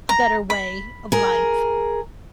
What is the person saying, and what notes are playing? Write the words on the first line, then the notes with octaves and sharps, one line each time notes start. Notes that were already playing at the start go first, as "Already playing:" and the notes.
a better way of life.
A#5
B5
G#4 A#4